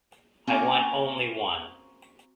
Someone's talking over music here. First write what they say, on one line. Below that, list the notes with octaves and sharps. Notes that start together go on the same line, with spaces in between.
I want only one.
A#3 C4 C#4 F#4 G#5 A#5